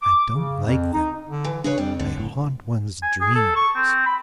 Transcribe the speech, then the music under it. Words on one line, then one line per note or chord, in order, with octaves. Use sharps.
I don't like them; they haunt one's dreams.
D6
C#3
F2
D#4
D3
E3
C#3 D4 G#4 B4 C#5
F2 G3
D2 D3
F#1 A2
G#5
G#4
A4
C#6
C4
B5